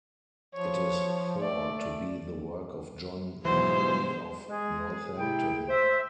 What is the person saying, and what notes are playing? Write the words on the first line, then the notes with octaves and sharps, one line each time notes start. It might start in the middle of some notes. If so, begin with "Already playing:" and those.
It is thought to be the work of John Lumley of Northampton.
F3 C#5
A3 D5
B2 E3 F#3 G#3 C5
G#3 G#4
C3 E4 G#4 G5
C5 E5